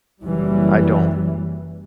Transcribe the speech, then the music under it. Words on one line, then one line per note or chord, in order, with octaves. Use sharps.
I don't
F#1 E3 F#3 G3